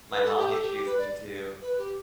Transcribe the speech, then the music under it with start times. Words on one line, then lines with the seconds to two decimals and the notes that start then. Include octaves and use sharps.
my mom introduced me to.
0.12 B4
0.24 A4
0.37 G4
0.49 A4
0.62 G4
0.74 G4
0.86 B4
0.98 D5
1.61 B4
1.78 G4